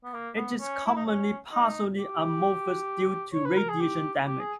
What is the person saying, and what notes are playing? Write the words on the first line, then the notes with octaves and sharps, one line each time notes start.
It is commonly partially amorphous due to radiation damage.
B3
A#3
B3
C#4
E4
D#4
C#4
D#4
G4
C#5
B4
A#4
G#4
G4
G4
G#4